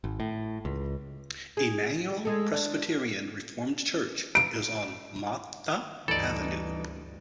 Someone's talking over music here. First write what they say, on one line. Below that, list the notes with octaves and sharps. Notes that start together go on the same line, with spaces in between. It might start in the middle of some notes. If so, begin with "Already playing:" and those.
Emmanuel Presbyterian Reformed Church is on Martha Avenue.
G#1
A2
C#2
G#4
G#3 A4
D4
D7
D2 G2 E3 D#4 A4 D5